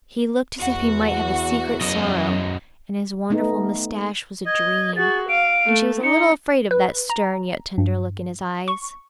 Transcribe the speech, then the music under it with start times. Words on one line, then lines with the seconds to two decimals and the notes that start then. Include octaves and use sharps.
He looked as if he might have a secret sorrow, and his wonderful moustache was a dream, and she was a little afraid of that stern yet tender look in his eyes.
0.59 E2 F#4
1.81 F#2 D#5
3.30 A3 B3 D#4
4.47 D#5 G#6
4.96 F#4 G#4 A6
5.29 F5 D7
5.67 A3
6.03 D#4 C#7
6.71 B4
7.10 A#5
7.78 G2
8.68 C#6